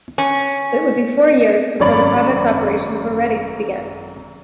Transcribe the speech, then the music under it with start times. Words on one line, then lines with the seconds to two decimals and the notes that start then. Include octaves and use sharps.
It would be four years before the project's operations were ready to begin.
0.18 C#4
1.79 G#1 F#2 C#5 D5 B5